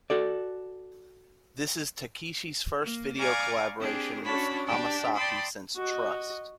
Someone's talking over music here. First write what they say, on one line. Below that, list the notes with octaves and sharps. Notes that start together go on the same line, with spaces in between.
This is Takeishi's first video collaboration with Hamasaki since "Trust".
F#4 A4 D5
A#3
D5 F5 G#5 A#5 C#6 D6
C4 D4 G4 G#4
C#4 D4 F#4 C#5 A5 B5
D4 G4 D5 G5 A5
D5 G5 A5 B5 C6 D#6
F#4 D#5